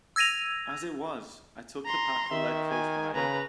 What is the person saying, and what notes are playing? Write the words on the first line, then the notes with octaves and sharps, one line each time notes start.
As it was, I took the path that led close by it.
E6 G#6 A#6 D#7 F7
A#5 C6
D#3 E5
G#5
C#3 B4 A#5